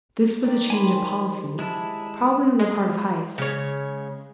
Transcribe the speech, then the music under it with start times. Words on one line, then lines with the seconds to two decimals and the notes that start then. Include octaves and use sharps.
This was a change of policy, probably on the part of Heyst.
0.43 D#3 D5
0.70 G3 C5 G#5 B5
1.59 G#3 E4 A5
2.01 B5
2.59 G#3
3.38 C#3 C#5